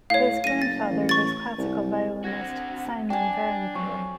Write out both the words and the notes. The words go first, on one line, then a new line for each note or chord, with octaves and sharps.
His grandfather was classical violinist Simon Waronker.
A2 C#5 F5
F#1 A#6 D#7
A6
A1
C#6 A6
C2
D3 C4 F#4 G#6 A#6
D4 D5 G5 G#5
F2 F#3 C4 C#6